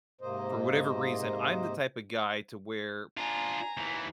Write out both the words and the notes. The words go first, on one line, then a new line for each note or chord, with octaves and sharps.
for whatever reason, I'm the type of guy to where
G#2 C3 A#3 C5 D#5
D4 F4 G#5 A#5
D#2 E3